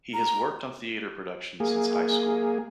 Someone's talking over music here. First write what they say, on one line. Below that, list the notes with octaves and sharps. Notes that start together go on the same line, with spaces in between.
He has worked on theatre productions since high school.
A#5
A#3 G#4